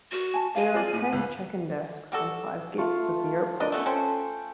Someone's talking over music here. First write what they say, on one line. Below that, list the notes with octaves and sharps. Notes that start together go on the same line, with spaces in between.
There are ten check-in desks and five gates at the airport.
F#4 A#4 D5
G#5 A5
D#5 F5 G#5
C4 F4 G#4 C5 D5
A2
C#2 B4
G3 F#4 A4
A3 F4 C#6
D4 A#4 D#5
A3 B3 C#4
C#4 A4 C5 G5